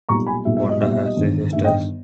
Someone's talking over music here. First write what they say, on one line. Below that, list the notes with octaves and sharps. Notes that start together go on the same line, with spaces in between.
Vonda has three sisters.
B1 A#2 G3 A#5 C#6
G#5 B5
B1 A#2 G3 E5
E5
D#5
B1 A#2 G3 E5
E5
D#5
G1 G2 D#3
G1 G2 D#3 E5
D#5 G5